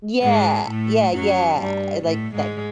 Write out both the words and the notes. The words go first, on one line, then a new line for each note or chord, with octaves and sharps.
Yeah. Yeah, yeah. E like that
G#2 G#3
A2 A3
F#2 F#3
G2 G3
A2 A3
G#2 G#3